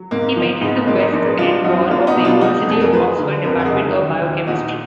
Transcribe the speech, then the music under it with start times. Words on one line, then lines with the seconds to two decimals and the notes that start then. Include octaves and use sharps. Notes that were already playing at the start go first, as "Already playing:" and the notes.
He painted the West End Wall of the University of Oxford Department of Biochemistry.
Already playing: F#3
0.11 G#2 A#3
0.36 F3
0.61 G#2 G#3 B3
0.87 G#2 A#3 D4
1.00 B3 D#4
1.13 A#1 A#4 D5
1.26 G#4 B4
1.38 F3 D4 F4
1.64 F#2 D#4 F#4
1.90 A#3 D4 F4
2.07 B3 D#4
2.16 B2
2.25 D4 F4
2.41 F3 D#4 F#4
2.67 F2 G#4
2.81 A#4
2.93 F3 G#4 B4
3.19 D3
3.44 F2 A#4
3.51 B4
3.59 F#4 A#4
3.65 G#4
3.70 F#1 D#4 F#4
3.95 D#3
4.21 D#2
4.47 A#2 D#4 F#4